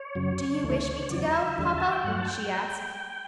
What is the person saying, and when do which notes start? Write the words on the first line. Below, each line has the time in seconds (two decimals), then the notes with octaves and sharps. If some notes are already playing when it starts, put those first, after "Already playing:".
"Do you wish me to go, papa?" she asked.
Already playing: C#5
0.15 F#2 C#3 F#3
0.63 D2 C#3 E3 A3
1.02 C#5
1.09 E2 C#3 F#3 D5
1.33 E5
1.57 E2 D3 G3
1.78 A5
1.91 G5
2.04 G2 F#3 A3 F#5
2.18 A5
2.28 G5